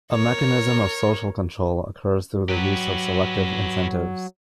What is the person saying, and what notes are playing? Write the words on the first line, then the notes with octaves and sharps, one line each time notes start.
A mechanism of social control occurs through the use of selective incentives.
A#4 C#5
F#3 G4 B4